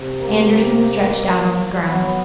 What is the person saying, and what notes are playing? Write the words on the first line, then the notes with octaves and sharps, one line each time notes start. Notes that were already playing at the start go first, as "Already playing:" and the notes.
Andersen stretched out on the ground.
Already playing: C3
A#3
F#3 B3